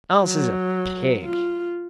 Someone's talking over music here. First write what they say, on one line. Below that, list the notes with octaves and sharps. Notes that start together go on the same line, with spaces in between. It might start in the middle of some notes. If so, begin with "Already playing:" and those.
Alice is a pig.
F#3
F4